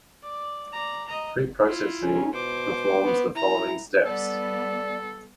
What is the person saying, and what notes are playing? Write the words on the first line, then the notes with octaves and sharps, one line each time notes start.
Preprocessing performs the following steps.
D5
D5 A#5
D#5 A#5
E4 F4
C#4
B2 C5 D6
B3
E4 A#5
G3 B3 A4 D5